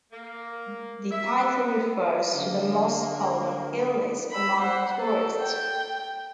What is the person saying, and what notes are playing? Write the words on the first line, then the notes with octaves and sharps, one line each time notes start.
The title refers to the most common illness among tourists.
A#3
E5
B3
F#2 D3 A#3
B5 E6
C5 F#5
A4
G5